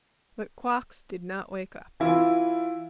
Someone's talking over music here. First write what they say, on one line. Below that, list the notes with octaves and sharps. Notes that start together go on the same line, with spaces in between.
But Quox did not wake up.
E3 E4 F4